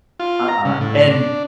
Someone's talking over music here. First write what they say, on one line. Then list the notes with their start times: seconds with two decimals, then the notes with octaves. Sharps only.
Uh-uh, and
0.20 F4
0.48 A#5
0.65 C#3
0.81 A2
1.10 D4